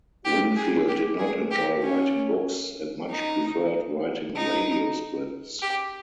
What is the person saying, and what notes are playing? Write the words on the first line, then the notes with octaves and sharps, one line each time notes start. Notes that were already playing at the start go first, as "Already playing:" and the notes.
Wingfield did not enjoy writing books, and much preferred writing radio scripts.
G4
G#4
G4
G#4
G4
C#4
D#4
D#4
G4